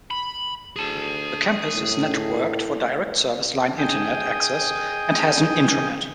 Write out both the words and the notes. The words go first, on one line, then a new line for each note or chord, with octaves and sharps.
The campus is networked for direct service line internet access and has an intranet.
B5
D2 G#4 A5
A2
G#4 D#5 G5